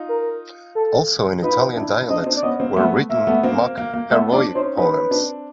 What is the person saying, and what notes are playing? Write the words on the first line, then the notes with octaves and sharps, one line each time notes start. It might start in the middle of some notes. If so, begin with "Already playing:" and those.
Also in Italian dialects were written mock-heroic poems.
Already playing: D#4 F4
A#4
A4
D#4 F4 B4
D4 E4
C4 D4 D#5
C4 D4
D5
B3 C#4 D#5
A#3 C4
A3 B3 E5
A3
A#3 E5
A3 B3
A#3 C4
A#3
A#3
A#3
A3 B3 E5
C4 D4 D5
C#4 D#4 C5
C#4 D#4 B4
C4 D4